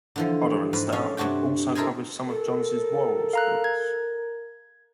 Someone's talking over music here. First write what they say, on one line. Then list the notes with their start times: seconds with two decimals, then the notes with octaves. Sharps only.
Hodder and Stoughton also published some of Johns' Worrals books.
0.16 D3 E3 F3
0.73 G#2 B4
0.92 C#4 A4 F5
1.17 G2 C3 D4 F#4 G5
1.75 E4 A4 A#4 C5 D#5 G#5
2.28 A4 A#4
3.33 F5 A#5 F#6
3.64 G#6